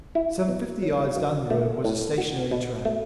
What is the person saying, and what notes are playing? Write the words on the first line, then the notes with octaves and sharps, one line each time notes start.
Some fifty yards down the road was a stationary tram.
E4
B2
F#3
F#2
A3
A2
F#4
B2
A3